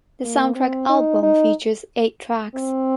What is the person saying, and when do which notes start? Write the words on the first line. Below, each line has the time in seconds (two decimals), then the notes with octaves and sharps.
The soundtrack album features eight tracks.
0.23 A#3
0.55 C4
0.89 D#4
1.22 D#4
2.55 C4